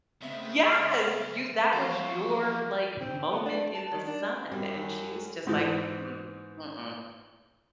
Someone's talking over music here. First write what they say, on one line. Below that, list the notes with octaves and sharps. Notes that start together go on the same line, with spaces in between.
Yes! "You that was your, like, moment in the sun," and she was just, like, "Mm, mm-mm."
C#3 G#3 B3 C4 E5
E2 E3 F3 F#4 C5 F5
C4
B3
D4
A5
D#3
D4
F#2 G3
G#2 E3